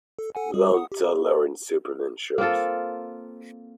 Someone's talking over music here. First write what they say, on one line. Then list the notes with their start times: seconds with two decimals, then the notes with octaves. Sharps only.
Blond toddler in superman shirt.
0.19 A4
0.35 A4 F#5 G#5
0.54 G3
0.74 F#5 D#6
0.92 G4
2.38 A#3 C4 F4 A4